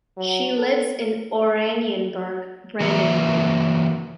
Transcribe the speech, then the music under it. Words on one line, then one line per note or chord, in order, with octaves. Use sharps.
She lives in Oranienburg, Brandenburg.
F#3
A4
E3 F#3 A#3 A#4 B4 E5